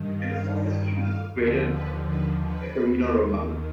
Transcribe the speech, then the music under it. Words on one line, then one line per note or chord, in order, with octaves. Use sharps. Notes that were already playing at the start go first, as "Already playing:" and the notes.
It is often eaten with grated Pecorino romano.
Already playing: G2 D#3
F5
F5
D#2 D3 F3
B4
B4
B4
D#2 D#3